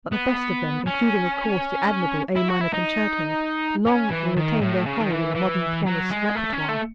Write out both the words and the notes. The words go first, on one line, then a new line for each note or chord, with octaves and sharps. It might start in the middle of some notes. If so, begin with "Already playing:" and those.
But the best of them, including, of course, the admirable "A Minor Concerto," long will retain their hold on the modern pianist's repertoire.
B3
C#4
E4
F#4
E4
D#4
C#4
E3
D#3
A2
C#3
D#3
E3
E3
F#3
G#3
A3
C#4
A3